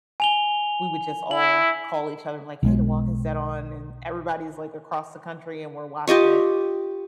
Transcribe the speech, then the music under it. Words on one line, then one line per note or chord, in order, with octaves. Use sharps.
we would just all call each other and like, "Hey, The Walking Dead on," and everybody's like across the country and we're watching it.
G#5 F7 G7
E4 F#7
B1 G#3
F4 G4 D#5 C#6